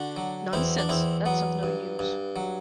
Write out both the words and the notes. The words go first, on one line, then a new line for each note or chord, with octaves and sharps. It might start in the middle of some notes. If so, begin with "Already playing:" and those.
Nonsense; that's of no use.
Already playing: D3 D4 F#4
F#3
E2 C4 E4
D4
E2 C4 E4
F#3 B3
G2
G2
F#3